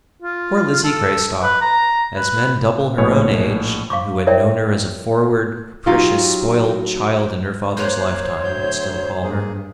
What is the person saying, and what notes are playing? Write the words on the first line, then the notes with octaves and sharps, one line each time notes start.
Poor Lizzie Greystock!--as men double her own age, and who had known her as a forward, capricious, spoilt child in her father's lifetime, would still call her.
F4
A4
B4
A#5
B4
A#1 A2 C#5 G#5
F5 C#6 D6
E4 A#4 C#5 D5 E5 G5
F#3 C#4 D#4 F4 G4
A#3 C5 C#5 F#6
D2 F#3 G6
G2 A#3 G#4